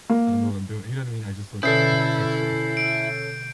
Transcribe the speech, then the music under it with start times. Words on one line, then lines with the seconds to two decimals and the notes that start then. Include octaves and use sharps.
I don't know what I'm doing, you know what I mean? I just look it's extra.
0.09 A#3
1.63 B2 D3 C#4 E4 A4 G6 C7
2.77 D7